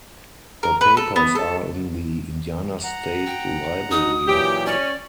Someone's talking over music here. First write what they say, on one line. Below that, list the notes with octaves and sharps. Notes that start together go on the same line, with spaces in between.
Her papers are in the Indiana State Library.
A#4
B4
A4
B3
A4
F#5 A#5
G5
D#4 D#6
A#2 E3 F#3 G4
C#4 D5